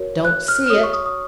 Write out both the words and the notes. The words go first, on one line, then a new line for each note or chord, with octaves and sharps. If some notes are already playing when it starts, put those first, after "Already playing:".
'Don't see it.
Already playing: F#4 A#4 C#5
F#6
F6
F6
C#5 D#6
F#4
C#6
D#6
D#6